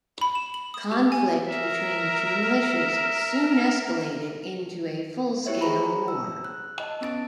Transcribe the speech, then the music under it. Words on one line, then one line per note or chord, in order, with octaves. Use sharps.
Conflict between the two militias soon escalated into a full-scale war.
B5
E7
F#7
D#6
G4
G#5
A#4 E5
E4 G4 C5 C#5 E5
A3 G#4 A#5 B5
E6
F#6
D#5 A5
B3 C#4 A6 D7